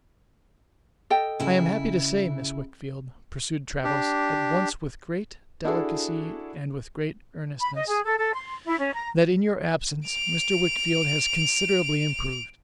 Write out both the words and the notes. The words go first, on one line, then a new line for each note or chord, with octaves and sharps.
'I am happy to say, Miss Wickfield,' pursued Traddles, at once with great delicacy and with great earnestness, 'that in your absence Mr. Wickfield has considerably improved.
A4 D#5 G5
C#3 E4
D4 G4
D4 E4 F#4 G#4 A4
B5
D#5
G#4
A4
A4
C6
E4
C#4
A#5
D7 F7